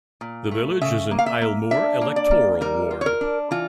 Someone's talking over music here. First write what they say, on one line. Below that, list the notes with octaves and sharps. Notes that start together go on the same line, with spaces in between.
The village is in 'Islemoor' electoral ward.
A#2
A3
C#3 E5
A#3
F5
E5
A#3
D4 E5
A#3
D5
A#3
G3 A#4
F4
C#5
A#4
D4
E3 F4